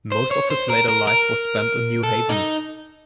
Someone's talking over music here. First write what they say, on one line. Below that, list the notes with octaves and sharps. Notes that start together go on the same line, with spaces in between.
Most of his later life was spent in New Haven.
C5
C#5
C5
A#4
A#4
A#4
A4
D#4